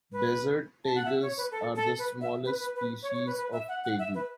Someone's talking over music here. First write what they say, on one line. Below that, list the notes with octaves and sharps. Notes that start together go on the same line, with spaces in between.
Desert tegus are the smallest species of tegu.
B4
A5
F#5
E5
C#5
B4
A4
A4
B4
E5
B4
B4
B4
C#5
C#5
B4
B4
E5
F#5
F#5
E5
B4